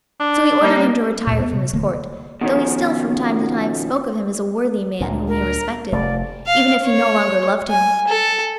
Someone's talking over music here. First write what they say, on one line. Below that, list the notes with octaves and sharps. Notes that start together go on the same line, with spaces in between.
So he ordered him to retire from his Court, though he still, from time to time, spoke of him as a worthy man whom he respected, even if he no longer loved him.
D4
G3 A#3
D#2 A#2
B3
C3
D1 D3 A3 A#3
B2 D#3 F3 C#4
D2 A#2
A#4
F1 A3 D5
F5
C#5
G#5
A4